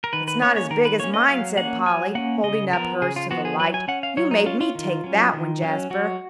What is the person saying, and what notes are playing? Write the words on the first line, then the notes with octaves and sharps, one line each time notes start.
"It's not as big as mine," said Polly, holding up hers to the light. "You made me take that one, Jasper."
A#4
D#3 B4
B4
A#3 C#4 C#5
C#5
D#3 A#4
B4
A#3 C#4 C#5
D#5
F#3 F5
A#3 C#4 F#5
F#3 G#5
A#3 C#4 F#5
C#3 D#5
F3 B3 A#4
C#3 G#4
F4
F3 B3 F#4
G#4
F#3 B4
G#5
C#4 F#5
F5
F#3 C#5
D#4
C#4 F4
F4
D#3
F#3 C#4
D#3
F#3 C#4
F#3 F#4